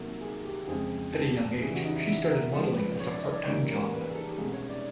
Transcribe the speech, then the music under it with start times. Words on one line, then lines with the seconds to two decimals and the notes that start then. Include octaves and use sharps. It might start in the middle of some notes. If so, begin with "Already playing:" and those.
At a young age, she started modelling as a part-time job.
Already playing: C2 C3 D#3 F#3 A#3 A4
0.21 G#4
0.44 G4
0.67 F2 C#3 F3 G#3 C4 G#4
1.13 A4
1.37 A4
1.60 C#3 E3 G3 G#4
1.75 F#4
1.84 D#4
1.91 E4
2.06 E4
2.30 A#4
2.53 C#3 F3 G#3 A4
2.76 B4
3.00 C#5
3.10 D5
3.23 D#5
3.34 D5
3.46 G#2 E3 G3 A#3 C#4 C#5
3.69 A#4
3.92 B4
4.09 G#4
4.15 A4
4.27 G4
4.38 C2 B2 G#3 C#4 G#4
4.53 C#5
4.69 D5